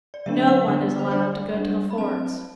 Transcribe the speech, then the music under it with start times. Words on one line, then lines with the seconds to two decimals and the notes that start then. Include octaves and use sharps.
No one is allowed to go to the forts.
0.14 D5
0.26 D3 F#3 B3 D4 E5
0.47 F#5
0.68 D3 F#3 B3 D4
0.99 C5
1.11 G3 D4 D5
1.54 G3 D4
1.91 B5
1.97 F#3 C4 A5